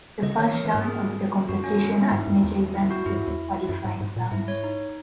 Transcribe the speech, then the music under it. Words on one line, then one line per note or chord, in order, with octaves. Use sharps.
The first round of the competition at major events is the qualifying round.
C#3 D#5
D#3 C#5
E3 A#4
E3
G#2 A#4
G#4
F#2 F#4
C#4
E4
G#2 D#4
F#2
E2
E4
F#4
F#2 E4
G#2
E2
F#2
G#2
G#2
A#2
G#2 E4
C#5
D#4